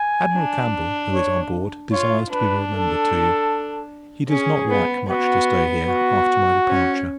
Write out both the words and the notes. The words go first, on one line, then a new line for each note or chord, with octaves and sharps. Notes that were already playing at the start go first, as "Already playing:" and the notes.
Admiral Campbell, who is on board, desires to be remembered to you. He does not like much to stay here, after my departure.
Already playing: G#5
D4
C#5
F4 C#5
D4 B4
A4
C#4 G#4
B3
B3 F#4
F#4
C#4